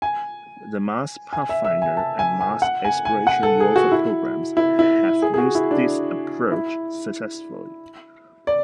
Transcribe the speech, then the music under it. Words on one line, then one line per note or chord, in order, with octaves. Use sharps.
The Mars Pathfinder and Mars Exploration Rover programs have used this approach successfully.
G#5
G#5
E5
E5
G#5
A5
G#5
G#5
F#5
G#5
G#5
F#5
A4
G#4
F#4
E4
E4
E4
G#4
G#4
F#4
E4
D4
E4
D5